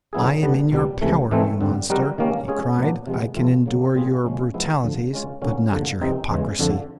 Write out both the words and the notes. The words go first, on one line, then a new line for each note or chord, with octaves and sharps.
"I am in your power, you monster!" he cried; "I can endure your brutalities, but not your hypocrisy."
D3 F#3 B3 E4 G#4
D3 G3 B3
C2 B2 G3
C#2 C3 E3 A3
A2 E3 A3 C4 D#4
G2 D3 G3 C4
G3 C4 D#4 F#4 A#4
D#3 G3 A#3 C#4
G#3 C#4 F4 G#4
A#2 F#3 B3 D4
C3 F3 G#3 B3
C3 F3 A3 C4 F4
C#3 F#3 A#3
A#2 G3 C4 F4 G#4
C#3 F3 G#3 C#4
F3 G#3 B3 E4
D2 D3 F3
G#3 C#4 F4
D3 F#3 A#3 C#4
G2 D3 F3 A#3
C3 E3 G3 C4 D#4
E2 C#3 E3 G#3
F2 D3 F3